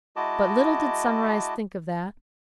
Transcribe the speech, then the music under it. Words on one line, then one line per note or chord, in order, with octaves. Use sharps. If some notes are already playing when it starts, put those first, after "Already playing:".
But little did Sunrise think of that.
G#3 E4 F#4 D#5 A5 D6